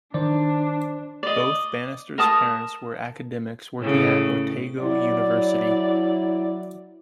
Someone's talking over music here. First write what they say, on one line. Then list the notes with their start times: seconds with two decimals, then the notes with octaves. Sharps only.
Both Bannister's parents were academics working at Otago University.
0.14 D#3 D4 C5 D5
1.23 D5 D#5
2.18 A#4 A5 D#6
3.79 A2 C#3
4.81 F#3 E4 D5